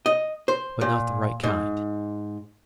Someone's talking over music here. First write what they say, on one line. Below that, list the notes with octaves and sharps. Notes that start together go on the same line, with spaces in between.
But not the right kind.
D#5
C5
A#2
G#2